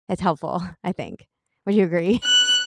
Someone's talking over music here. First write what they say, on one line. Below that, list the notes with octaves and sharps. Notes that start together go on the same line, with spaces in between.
it's helpful, I think. Would you agree?
F#6